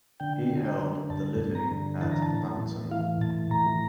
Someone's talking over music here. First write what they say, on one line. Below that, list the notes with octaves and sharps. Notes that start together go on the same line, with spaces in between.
He held the living at Bampton.
D3 G5
D3
G5
D3
G2 A5
G2
A#5
D3
E3 A5
A#5
A5
A2
A2
E3 F5
A2 A5
A2 A#5